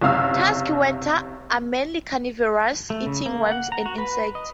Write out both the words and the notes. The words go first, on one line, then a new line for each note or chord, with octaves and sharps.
Tusked weta are mainly carnivorous, eating worms and insects.
F#1 C3 F5 E6
A3
C#3
A#3
F#5
A#5
F#4
B4
D#5